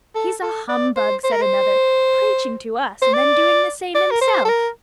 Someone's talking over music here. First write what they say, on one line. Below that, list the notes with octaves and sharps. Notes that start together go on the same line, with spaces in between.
"He's a humbug," said another; "preaching to us and then doing the same himself."
A4
A4
D5
C5
C5
A#4
C5
C5
D5
D5
A#4
C5
A4
A#4